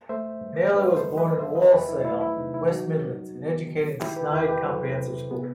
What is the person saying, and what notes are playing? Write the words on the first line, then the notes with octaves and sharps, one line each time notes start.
Naylor was born in Walsall, West Midlands, and educated at Sneyd Comprehensive School.
A3 C5 E5
G2
G2 B4 D#5
A4 C5
F#3
B4 D#5
D#3 C5 E5
B4 D#5
E2 G4 B4
E4
A3 E4
E4
C3 D#4
E4
F#3 D#4 F#4
G2
B3
D#3
D#3 E4 G4
G4 B4
E2 E4 G4
G4 B4
F#3 A4 C5
C3
B3